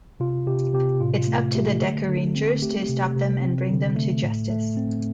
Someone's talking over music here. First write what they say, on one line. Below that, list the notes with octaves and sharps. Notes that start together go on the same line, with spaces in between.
It's up to the Dekarangers to stop them and bring them to justice.
C3 F4
C3 G4
C3 G4
A2 F4
F4
A3
A3 G4
D3
D3
C4
A3 G4
C3
C3
C4
D3
A3
A2
A3
C4